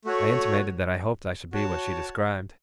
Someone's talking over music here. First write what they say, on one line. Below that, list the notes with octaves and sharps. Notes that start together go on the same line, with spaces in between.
I intimated that I hoped I should be what she described.
A3 F#4 C#5
F#4 C#5 A5